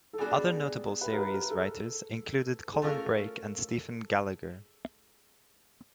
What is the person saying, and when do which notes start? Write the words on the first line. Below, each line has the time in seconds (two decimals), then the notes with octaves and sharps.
Other notable series writers included Colin Brake and Stephen Gallagher.
0.13 A4
0.18 G3 B3 D4 F#4 G#4
1.01 B4
1.13 A#4
1.18 B4
1.34 A#4
1.51 A4
2.73 G#4
2.82 A3 C#4 F4 A4 A#4